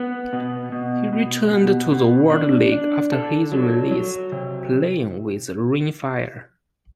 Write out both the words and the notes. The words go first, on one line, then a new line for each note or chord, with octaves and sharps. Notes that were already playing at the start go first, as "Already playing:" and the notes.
He returned to the World League after his release, playing with Rhein Fire.
Already playing: B3
B2
B2
B2
B2
B2
D4
D4
A4
F#3
F#3
C3